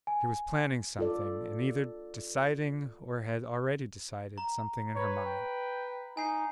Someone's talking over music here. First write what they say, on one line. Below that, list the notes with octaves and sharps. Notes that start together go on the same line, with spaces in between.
She was planning something and either deciding or had already decided something in her mind.
G#5
F4 A4 D5
A#5
B4 C#5
G5
D#4 G#5 C7